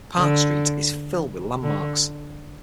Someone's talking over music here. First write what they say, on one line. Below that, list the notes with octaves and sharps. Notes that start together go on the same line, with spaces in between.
Park Street is filled with landmarks.
D3
D3